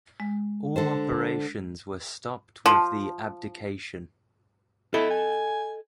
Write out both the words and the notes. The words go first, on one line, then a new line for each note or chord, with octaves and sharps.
All operations were stopped with the abdication.
G#3
D3 A4 C5
F3
E4 A4 D#5
G#5